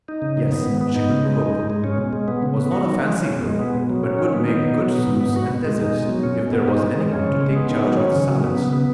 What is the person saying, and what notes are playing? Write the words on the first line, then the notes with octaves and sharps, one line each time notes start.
Yes, she could cook; was not a fancy cook, but could make good soups and desserts if there was any one to take charge of the salads.
D#4
C#3
D#3
B3
G#2
B3
D#4
C#3
G#3
D#4
G#2
G#3
C#4
B2
G#3
B3
C#3
B3
F#4
D#3
G#3
C#4
B2
G#3
B3
B2
F#3
C#4
D#3
B3
D#4
B2
F#3
B3
G#2
B3
F#4
B2
G#3
D#4
B2
F#3
C#4
B2
B3
D#4
D#3
G#3
C#4
C#3
G#3
B3
D#3
F#3
C#4
C#3
F#3
B3
C#3
B3